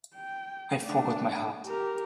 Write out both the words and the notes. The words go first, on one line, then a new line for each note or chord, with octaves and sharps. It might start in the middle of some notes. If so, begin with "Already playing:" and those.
I forgot my hat.
G5
A3 D4
G4 A#4